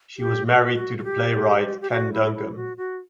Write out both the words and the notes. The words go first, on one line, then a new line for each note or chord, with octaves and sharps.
She was married to the playwright Ken Duncum.
G4
F#4
F#4
F#4
G4
G4
F#4
E4
E4
F#4
F#4